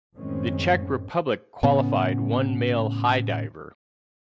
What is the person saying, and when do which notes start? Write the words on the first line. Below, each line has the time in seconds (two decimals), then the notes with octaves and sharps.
The Czech Republic qualified one male high diver.
0.16 F#2 A2 D#3 G#3 C4 C#4
1.63 A2 C#3 B3 C#4